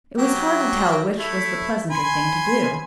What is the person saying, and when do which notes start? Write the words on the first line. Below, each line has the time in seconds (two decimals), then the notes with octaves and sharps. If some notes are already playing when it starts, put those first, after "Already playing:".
It was hard to tell which was the pleasanter thing to do.
0.18 F#3 G4
1.19 A3 E4
1.90 G#5 B5 C6